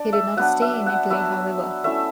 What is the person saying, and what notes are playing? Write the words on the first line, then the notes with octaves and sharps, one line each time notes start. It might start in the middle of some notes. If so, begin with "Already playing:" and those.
He did not stay in Italy, however.
Already playing: D4 D5
E5
F#3 B3 D4 F#5
E5
F#5
F#3 B3 D4 E5
A3 C#4 E4 E5